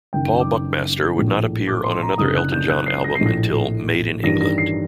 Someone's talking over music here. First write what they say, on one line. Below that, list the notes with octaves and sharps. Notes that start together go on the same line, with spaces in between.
Paul Buckmaster would not appear on another Elton John album until "Made in England".
F#1 F#2 D#3 G5
D6
A#1 A2
D6
C6
A#5
F#1 F#2 D3 D#6
F#6
G6
F#6
C7
A#6
C7
A#1 A2 A#6
A1 G2 D#3 A#6
A#6
C7